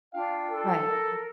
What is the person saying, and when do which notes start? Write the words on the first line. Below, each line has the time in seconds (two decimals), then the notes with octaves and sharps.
Right, like
0.13 D4 F4 F5 G5
0.51 A4
0.87 A#4